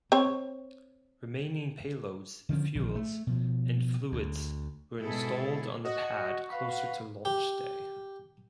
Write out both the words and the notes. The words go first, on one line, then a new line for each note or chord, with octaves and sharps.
Remaining payloads, fuels and fluids were installed on the pad closer to launch day.
C4 C#5
D3 D#3 F3 C#4
A#1 D#3
A3
B2 F3
D2
G#2 B2 E4 G#4 A4
F#4 D#5
B4 F5 B5
G4